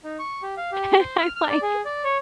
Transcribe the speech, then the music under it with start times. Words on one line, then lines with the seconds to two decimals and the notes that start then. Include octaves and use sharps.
and I'm like,
0.04 D#4
0.19 C#6
0.42 G4
0.57 F5
0.72 G4
1.00 C5
1.21 F6
1.36 F6
1.49 D5
1.62 G#4
1.85 D5
2.04 C#5